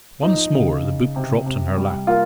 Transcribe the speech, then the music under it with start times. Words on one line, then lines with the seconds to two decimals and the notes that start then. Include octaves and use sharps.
Once more the book dropped on her lap.
0.23 F3 D#4
0.54 C#3
0.84 C#3
1.16 C3
1.46 C3
1.77 G3
2.07 A#3 F4